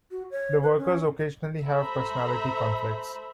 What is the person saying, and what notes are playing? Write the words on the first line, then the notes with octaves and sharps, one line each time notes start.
The workers occasionally have personality conflicts.
F#4
C#5
B4
C#4
A4 C5 E5 A#5 B5